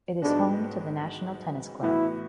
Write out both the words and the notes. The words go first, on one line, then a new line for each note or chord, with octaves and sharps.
It is home to the National Tennis Club.
G#2 G#3 B3 D4 F#4
A2 E3 B3 E4 F#4